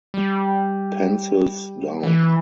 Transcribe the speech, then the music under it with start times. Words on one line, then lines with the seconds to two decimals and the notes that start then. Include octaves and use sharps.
Pencils down.
0.14 G3
2.03 E3